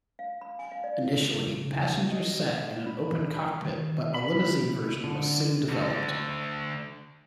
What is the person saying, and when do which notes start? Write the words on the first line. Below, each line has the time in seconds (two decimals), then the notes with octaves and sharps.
Initially, passengers sat in an open cockpit, but a Limousine version was soon developed.
0.19 F5
0.41 B5
0.59 G#5
0.72 F5
0.84 D5
1.19 C#3
2.11 D#5
2.86 B5
3.65 D#3
4.14 B5
5.04 D3
5.69 D2 D3